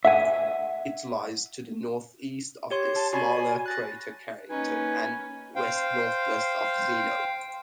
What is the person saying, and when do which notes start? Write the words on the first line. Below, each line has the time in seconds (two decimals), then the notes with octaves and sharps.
It lies to the northeast of the smaller crater Carrington, and west-northwest of Zeno.
0.05 E5 F#5 G#5
2.70 G4 C#5 C6
2.96 A5
3.13 F#4 D5 G#5 B5
3.66 F#6 A6 A#6
4.50 A#3 C#4 D#4 B4 G#5
5.56 C5 F5 G5